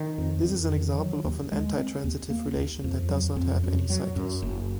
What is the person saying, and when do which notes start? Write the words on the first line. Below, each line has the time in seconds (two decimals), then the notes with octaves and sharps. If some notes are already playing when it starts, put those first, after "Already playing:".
This is an example of an antitransitive relation that does not have any cycles.
Already playing: D#3
0.18 F2
0.45 F2
0.72 D#3
0.98 F#3
1.24 D#2
1.52 G#3
1.77 C4
2.04 D#2
2.30 A#3
2.57 D#2
2.84 F2
3.09 F#3
3.36 F2
3.64 F#2
3.90 F#3
4.16 F#2
4.42 F#1